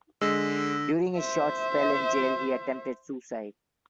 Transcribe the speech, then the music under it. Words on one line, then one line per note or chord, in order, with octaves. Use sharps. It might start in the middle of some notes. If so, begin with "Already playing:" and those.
During his short spell in jail, he attempted suicide.
D3 G#3 E6 A#6 B6
C5 E5